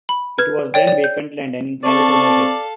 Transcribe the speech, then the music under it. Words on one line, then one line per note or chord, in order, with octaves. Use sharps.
It was then vacant and in private ownership.
B5
B4 F6 G#6
C#5 D5 G5
D5
G6
C4 A4 D5 F5 A5 C#6